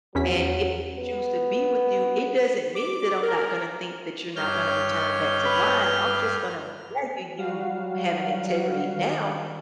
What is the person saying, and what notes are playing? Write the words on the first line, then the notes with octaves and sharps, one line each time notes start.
and if I choose to be with you, it doesn't mean that I'm not gonna think that you're not gonna return back to lying, I'm just gonna value you for having integrity now,
E2 F#3 C#4 B6
B3
D6
A#4
G2 C#5 F6 G6
B4
G3 F#4 F5
F#3
D#3